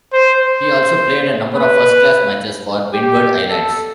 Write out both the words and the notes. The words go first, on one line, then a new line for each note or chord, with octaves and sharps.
He also played a number of first class matches for Windward Islands.
C5
C5
B4
G4
A4